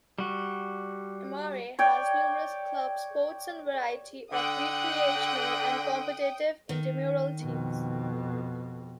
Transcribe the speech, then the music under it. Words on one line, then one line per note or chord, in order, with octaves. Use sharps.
Emory has numerous club sports and a variety of recreational and competitive intramural teams.
G3 F#4
C#5 D5 G5
D3 F#5 G5 D#6
D#3
F2 B2